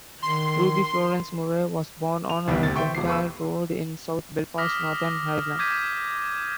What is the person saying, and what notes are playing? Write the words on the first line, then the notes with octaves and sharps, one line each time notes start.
Ruby Florence Murray was born on Donegall Road in south Belfast, Northern Ireland.
D#3 C6
F7
C2 B2 D#3 G3
D2 C3 A6
C5 E5 G5 C6 C#6
E1 D6 C7
B4 C#6 E6
D6 D#6 F6 A#6 B6
D6 G6 G#6 B6 D#7 E7